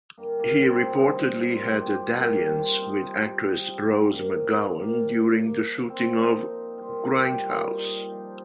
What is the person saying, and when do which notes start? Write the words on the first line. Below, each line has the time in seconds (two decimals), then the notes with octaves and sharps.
He reportedly had a "dalliance" with actress Rose McGowan during the shooting of "Grindhouse".
0.18 G2 G3 A#3
0.39 A#3
0.62 C4
0.84 G2 G3 D#4
1.50 C3 D#3 G3 F4
1.72 G4
1.94 G4
2.16 C3 D#3 G3 A#4
2.37 G4
2.59 F4
2.82 C3 G3 D#4
3.48 C3 G3
4.14 C3 G3 A#3
4.79 C3 G3 A#3
5.46 A#2 F3 A#3
5.90 C4
6.12 A#2 F3 D#4
6.78 A#2 G3 F4
7.11 G4
7.44 A#2 G3 F4
7.77 D#4
8.10 C3 F3